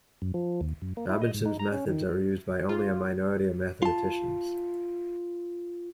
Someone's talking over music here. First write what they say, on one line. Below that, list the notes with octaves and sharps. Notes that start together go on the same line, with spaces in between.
Robinson's methods are used by only a minority of mathematicians.
F#2
F3
D#2
F#2
A#3
E4
D#5
G#2
D#4
A#5
C#4
D#3
F4
F4 A5